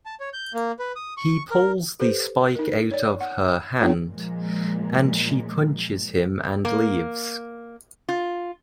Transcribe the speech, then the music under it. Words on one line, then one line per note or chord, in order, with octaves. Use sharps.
He pulls the spike out of her hand, and she punches him and leaves.
A5
C#5
G6
A#3
B4
D#6
C#6
A#4
G4 A4 B4 C5
D#4 A#4
C#5 D5
F#5
B3 D4 D#4 F4 C#5 G5
A#2 F3 G#3
A#3
F4